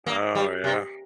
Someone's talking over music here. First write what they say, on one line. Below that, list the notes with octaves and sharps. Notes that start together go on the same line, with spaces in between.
Oh, yeah.
A#3
G3
C3